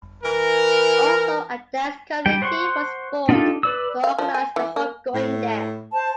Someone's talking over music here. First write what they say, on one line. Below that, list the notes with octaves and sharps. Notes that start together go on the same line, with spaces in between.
Also, a dance committee was formed to organize the Homegoing Dance.
E3 A#4
G3 G5
C5 F#5 C6 C#6
D4 D#4 F4 G4 A4
B4 D5 E6
F5
F3
G#5
E3
A#3
A2
C5 A5